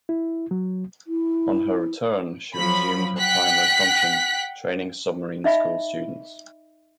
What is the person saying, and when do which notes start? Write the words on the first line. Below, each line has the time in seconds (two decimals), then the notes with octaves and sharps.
On her return, she resumed her primary function, training submarine school students.
0.09 E4
0.51 F#3
1.07 E4
2.54 F3 F#3 B5
3.19 F#5 G5 F#6 B6
5.44 D#4 D#5 E5 B5